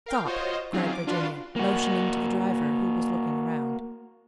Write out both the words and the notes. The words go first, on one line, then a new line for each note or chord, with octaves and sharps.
"Stop!" cried Virginia, motioning to the driver who was looking around.
A#4 F5 G5
F4 F#4 C5 C#5 D#5
F#3 C4 C#4 D#4 F4 G#4
D6
D4 F4 F#4 B4 F5 C6
A#3 F#4